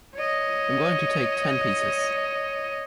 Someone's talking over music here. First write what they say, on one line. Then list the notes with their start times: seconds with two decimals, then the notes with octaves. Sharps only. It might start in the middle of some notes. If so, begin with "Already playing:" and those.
I’m going to take ten pieces.
0.15 C#5 D#5